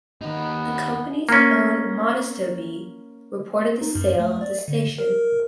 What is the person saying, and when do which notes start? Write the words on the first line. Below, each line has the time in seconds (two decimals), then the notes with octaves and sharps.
The company's own "Modesto Bee" reported the sale of the station.
0.21 D#2 B3 D#4
1.29 A#3 C#4
3.81 D#4
3.95 F#2
4.19 A3
4.41 D5
4.68 D3
4.98 A#4